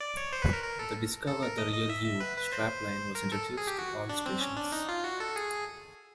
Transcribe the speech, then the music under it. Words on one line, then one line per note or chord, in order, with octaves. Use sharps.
The "Discover the Real You" strapline was introduced to all stations.
D5
C#5
C5
B4
A#4
A#4
A4
A4
A#4
D#5
D#5
E5
E5
B4
B4
C5
A#4
A4
G#4
G4
F#4
D4
C4
C#4
D4
D#4
F4
F#4
A4
G#4